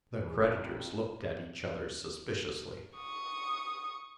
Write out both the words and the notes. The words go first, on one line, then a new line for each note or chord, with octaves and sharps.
The creditors looked at each other suspiciously.
E2
F#1
F2
C#6 D#6